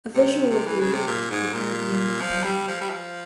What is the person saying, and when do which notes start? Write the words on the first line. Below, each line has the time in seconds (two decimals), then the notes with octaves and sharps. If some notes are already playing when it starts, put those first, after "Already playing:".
A visual of The Leaderboard would air at the end of The Podium.
0.15 C3
0.50 C3
0.66 E3
0.80 C#3
0.93 C3
1.07 A#2
1.30 G#2
1.53 A#2
2.21 F3
2.44 G3
2.68 F3
2.81 G3
2.90 F3